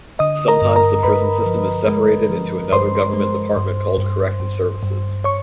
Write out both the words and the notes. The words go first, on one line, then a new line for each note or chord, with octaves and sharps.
Sometimes the prison system is separated into another government department called Corrective Services.
D3 D#5 D#6
A#4 A#5
G2
A#4 A#5
G2 B4 B5
F3
G#3
F3
G2 C5 C6
G#3
G2
G2
G2
G2
C#5 C#6